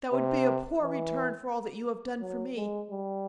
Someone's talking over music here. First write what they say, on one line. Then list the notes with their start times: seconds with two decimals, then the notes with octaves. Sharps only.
'That would be a poor return for all that you have done for me!
0.13 C3
0.83 E3
2.21 F#3
2.57 G#3
2.91 G3